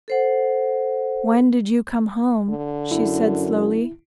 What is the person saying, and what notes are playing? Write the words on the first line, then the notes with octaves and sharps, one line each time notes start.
"When did you come home?" she said slowly.
A4 C5 F#5
D3
F#2 E4